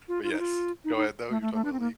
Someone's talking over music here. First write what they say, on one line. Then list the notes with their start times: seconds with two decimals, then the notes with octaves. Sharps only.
but yes, go ahead, though. You're talking about League.
0.08 F4
0.24 F4
0.32 D#4
0.39 F4
0.85 D#4
0.96 D#4
1.30 A3
1.42 A3
1.54 A3
1.65 D4
1.72 C4
1.80 A#3